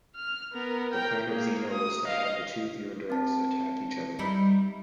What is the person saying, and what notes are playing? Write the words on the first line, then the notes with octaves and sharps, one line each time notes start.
The plan of Zeno was to have the two Theoderics attack each other.
F6
B3 A#4
A#4 G5
A#3 G#4
D#6
D#5 F5
C4 A5
G3 D#4 E4